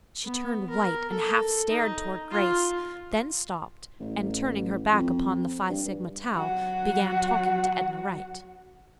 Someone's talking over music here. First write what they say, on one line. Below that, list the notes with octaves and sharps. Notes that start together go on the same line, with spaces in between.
She turned white and half started toward Grace, then stopped, and, turning her back upon the Phi Sigma Tau, began talking to Edna Wright.
B3
A#4
A4
D#4
F4
A1
F2
G2
F#3 F#4